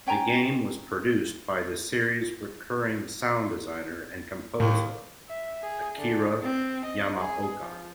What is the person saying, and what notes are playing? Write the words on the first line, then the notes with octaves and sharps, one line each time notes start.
The game was produced by the series' recurring sound designer and composer Akira Yamaoka.
C#4 G5 G#5 A#5
D#2 A2
E5
G#4
D3
C4
D#5
G#4
F3